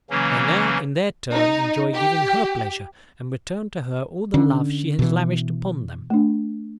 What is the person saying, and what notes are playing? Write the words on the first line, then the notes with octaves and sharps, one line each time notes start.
They now, in their turn, enjoy giving her pleasure, and return to her all the love she has lavished upon them.
C#3 E3 F#3 A#3 C#4
D#4
G4
D3 C#4
B2 E3
A3 D4